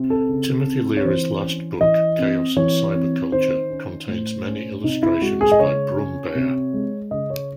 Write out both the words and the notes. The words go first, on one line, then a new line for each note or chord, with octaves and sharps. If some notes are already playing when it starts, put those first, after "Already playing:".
Timothy Leary's last book "Chaos and Cyberculture" contains many illustrations by Brummbaer.
Already playing: C3 C4
A4
C#3
C4
C#5
E3 C5
C#4
E3 D#5
C4
E3 C#5
C4
D#3 C5
C#4
A2
C#4
C3 D#4
E4
G#3 F#4
G#4
D#5
C#3 C#5
C#4
C3
G#3
C#3 D#5
C#5